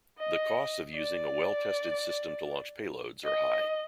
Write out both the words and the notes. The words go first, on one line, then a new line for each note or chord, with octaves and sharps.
The costs of using a well-tested system to launch payloads are high.
D#5
D5
D#5